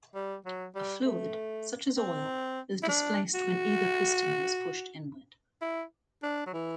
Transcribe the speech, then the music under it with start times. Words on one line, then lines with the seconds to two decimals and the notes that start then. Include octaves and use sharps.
A fluid, such as oil, is displaced when either piston is pushed inward.
0.15 G3
0.46 F#3
0.75 G3
1.05 A3
1.97 C4
2.83 E4
2.88 D4
3.34 F#4
5.61 E4
6.23 D4
6.46 F#3
6.53 E3